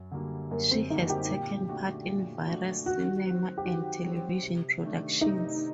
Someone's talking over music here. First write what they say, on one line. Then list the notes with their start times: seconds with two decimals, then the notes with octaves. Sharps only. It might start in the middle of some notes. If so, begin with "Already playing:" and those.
She has taken part in various cinema and television productions.
Already playing: F#2
0.11 D3 G3 A#3 F#4
0.51 F#2 A#3
0.71 C4
0.90 D3 G3 A#3 D#4 F#4
1.10 G4
1.29 A#2
1.69 A3 D4 F#4
2.08 A#2
2.47 A3 D4 F#4
2.86 D#3 F#4
3.25 F#3 C4
3.58 G4
3.65 D#3 F#4
4.04 F#3 C4
4.43 C3
4.82 D#3 A3 D4
5.21 C3 D#4